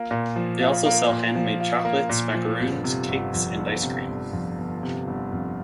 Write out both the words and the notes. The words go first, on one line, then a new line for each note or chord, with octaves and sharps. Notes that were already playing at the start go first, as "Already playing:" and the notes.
They also sell handmade chocolates, macaroons, cakes, and ice cream.
Already playing: A#3 F4
A#2
F3
F4
A#3
A#2
F3
F4
A#3
A#2
F3
G1
C3
G1
F2
G1
C3
G1
F2
G1
C3
G1
F2